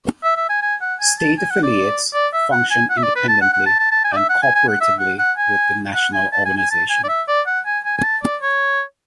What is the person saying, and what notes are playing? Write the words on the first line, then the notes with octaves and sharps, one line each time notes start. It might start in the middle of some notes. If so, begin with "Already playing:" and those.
State affiliates function independently and cooperatively with the national organization.
E5
E5
G#5
G#5
F#5
G#5
A5
G#5
F#5
D5
D5
E5
F#5
G#5
F#5
E5
D5
B4
A5
F#5
F#5
A5
A5
A5
G#5
D5
E5
F#5
G#5
G#5
F#5
E5
F#5
F#5
G#5
F#5
G#5
A5
G#5
G#5
A5
G#5
D5
E5
D5
F#5
G#5
G#5
G#5
A5
D5
C#5